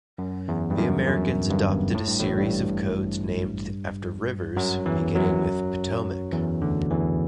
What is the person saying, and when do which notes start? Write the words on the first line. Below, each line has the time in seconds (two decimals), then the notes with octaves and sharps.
The Americans adopted a series of codes named after rivers, beginning with "Potomac".
0.18 F#2
0.48 E2
0.70 G2
0.77 F#2
1.07 F#2
1.50 G1 G2
1.94 A2
2.07 G2
2.20 A1 A2
2.38 G2 G3
4.56 F#2 F#3
4.86 E2 E3
5.15 F#2 F#3
6.32 E2 E3
6.62 D2 D3
6.90 E2 E3